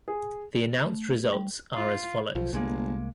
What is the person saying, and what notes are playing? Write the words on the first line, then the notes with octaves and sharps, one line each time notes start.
The announced results are as follows.
G#4
A3
G3
F4
B1 F3
G1 C2 G#3 A#3